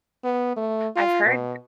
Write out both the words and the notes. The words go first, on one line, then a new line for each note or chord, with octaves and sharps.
I've heard
B3
A3
F4
B2